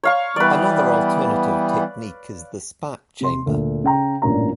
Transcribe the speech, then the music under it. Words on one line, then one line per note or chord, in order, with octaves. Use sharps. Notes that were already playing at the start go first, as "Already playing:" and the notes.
Another alternative technique is the spark chamber.
C#5 F5 C#6
E3 G3 B3 B4 D5
C3 C6
D2 A#2
C#3 G5 A#5
A1 G2 A#2 C#4 A#5